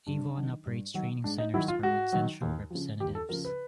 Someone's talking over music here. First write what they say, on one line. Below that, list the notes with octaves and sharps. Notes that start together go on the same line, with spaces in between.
Avon operates training centers for potential representatives.
G2 D4
D#3 F#3
G2
D#3 F#3
G#2 D4
D#4
D#3 F#3 E4
F4
G#2 F#4
D#3 F#3
D#2
C#3 F3
D#2 G4
A4
C#3 F3 A#4
B4